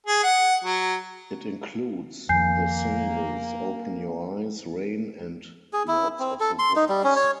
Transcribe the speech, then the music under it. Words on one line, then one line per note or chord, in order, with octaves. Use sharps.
It includes the singles "Open Your Eyes", "Rain" and "Lords of the Boards".
G#4
F#5
F#3
F2 D#3 A#3 G#5 G6 C7
G#4
E4
C4
A4
C6
D#4
G3
C#4
C#5